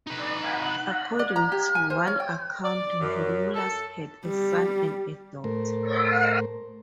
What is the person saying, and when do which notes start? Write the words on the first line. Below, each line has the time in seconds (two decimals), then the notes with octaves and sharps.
According to one account, Romulus had a son and a daughter.
0.07 D#4 B4
1.19 D5
1.36 A#5
1.52 G4
1.75 G#5
1.90 C5
2.07 C#5
2.20 G5
2.64 D5
3.00 F#2
3.54 A4
4.27 G3
5.44 A2 A3 A#4 C5